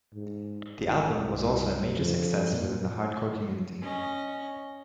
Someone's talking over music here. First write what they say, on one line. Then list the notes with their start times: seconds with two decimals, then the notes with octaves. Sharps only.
The album was also a major success within the hardcore community.
0.14 G#2
0.79 G#1
1.16 C2
1.95 F2
2.52 A#2
3.82 C#4 D#5